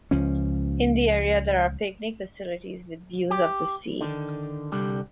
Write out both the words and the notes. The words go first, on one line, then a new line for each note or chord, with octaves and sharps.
In the area, there are picnic facilities with views of the sea.
C#2 F3 C#4
G4
D3 D#3
C2 D3 G3